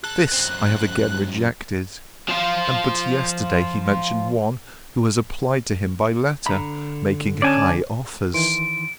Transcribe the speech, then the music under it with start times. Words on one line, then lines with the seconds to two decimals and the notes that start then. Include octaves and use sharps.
This I have again rejected; and but yesterday he mentioned one who has applied to him by letter, making high offers.
0.04 G#4 A5 F#6
0.33 F#2 C4
2.29 F3 F4
6.46 D3 A#5 B5
7.42 C#4 D5 G#5 A5
8.34 D#3 E3 C6 D7